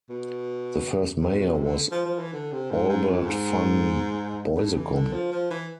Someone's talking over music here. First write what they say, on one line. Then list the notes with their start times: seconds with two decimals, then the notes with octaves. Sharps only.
The first mayor was Albert Van Beusekom.
0.09 B2
1.21 C3
1.35 B2
1.49 C3
1.63 D3
1.92 F3
2.06 F3
2.19 E3
2.33 D3
2.52 C3
2.71 G#2
2.89 G#2
3.08 F2
3.26 G#2
4.57 A2
4.76 E3
4.94 D3
5.13 F3
5.32 F3
5.50 E3